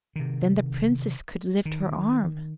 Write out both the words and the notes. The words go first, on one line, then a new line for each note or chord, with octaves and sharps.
Then the Princess could lift her arm.
C3 D#3
D#3